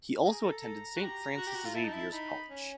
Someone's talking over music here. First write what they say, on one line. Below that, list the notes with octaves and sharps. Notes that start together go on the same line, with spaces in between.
He also attended Saint Francis Xavier's College.
G#4 A#5
A4
A4
F#4
G4 A#5
F#4
G4
F#4
F4
E4 A5
D#4
E4
D#4 B5
C#4